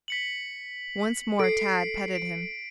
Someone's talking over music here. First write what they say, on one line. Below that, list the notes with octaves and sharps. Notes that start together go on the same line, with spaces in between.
Once more Tad petted him.
B6 C#7 F#7
A4 C7 D7
C7 D7